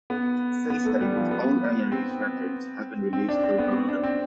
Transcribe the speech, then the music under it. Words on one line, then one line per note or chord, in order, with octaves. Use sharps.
Since then all Emery's records have been released through Garuda.
B3
B3
A3
G3
F3
B3
C4
C4
D4
C4
B3
C4
D4
C4